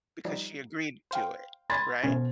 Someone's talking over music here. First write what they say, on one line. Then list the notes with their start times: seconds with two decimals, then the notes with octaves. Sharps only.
because she agreed to it, right?
0.25 F3 G3 D#4
1.11 C5 F5 G5
1.70 B5 C6 G#6 A6
2.03 B2 C#4 C5